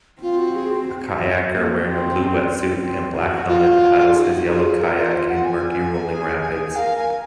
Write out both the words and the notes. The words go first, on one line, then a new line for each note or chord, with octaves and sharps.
A kayaker wearing a blue wetsuit and black helmet paddles his yellow kayak in murky rolling rapids.
C4 F4
F#4
G#4
F#4
A#3
C4
C4
F#4
F4
D#4 G#4
F#4
F4 G#4 A#4
F4 A#4
A#4
C5
F#5
G#5
G#4
G#4
A#4 F5
G#5